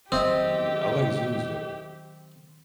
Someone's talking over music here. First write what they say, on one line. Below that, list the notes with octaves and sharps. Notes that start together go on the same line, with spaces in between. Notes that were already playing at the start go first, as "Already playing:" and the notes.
Yeah. I like zoos, though.
D#3 F#3 C4 G4 D#5 E5 D#6